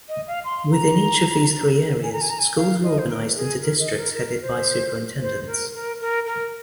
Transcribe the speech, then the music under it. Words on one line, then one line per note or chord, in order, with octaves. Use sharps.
Within each of these three areas, schools are organized into districts headed by superintendents.
D#5
F5
C6
A#5
G#5
A#5
G#5
A#5
G#5
F5
D#5
C5
A#4
G#4
A#4
D#5
A#4
A#4
C5
C5
A#4
A#4
A#4
A#4